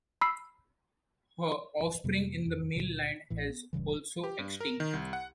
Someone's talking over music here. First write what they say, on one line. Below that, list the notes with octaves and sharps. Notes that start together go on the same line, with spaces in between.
Her offspring in the male line has also extinct.
B5 E6 C7
F2 C3 G3 A#3
F2
C#2 A#2 D3
A1 A2 E3
B3
D1 G2 C#3 E3
G4
G2
A#4
D#3
C2
F#5